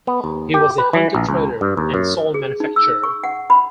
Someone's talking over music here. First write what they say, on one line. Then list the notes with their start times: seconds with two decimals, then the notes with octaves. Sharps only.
He was a hunter-trader and salt manufacturer.
0.07 B3
0.24 D#2
0.54 G4
0.78 B4
0.93 E3
1.15 A#1
1.29 C#2
1.61 G2
1.77 D#2
1.94 F#2
2.34 G#4
2.60 D#4
2.76 E6
3.03 C#6
3.24 F#5
3.50 B5